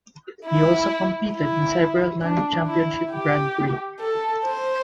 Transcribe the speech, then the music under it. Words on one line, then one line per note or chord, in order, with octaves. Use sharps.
He also competed in several non-Championship Grand Prix.
E4
E4
D4
E4
G4
A4
C5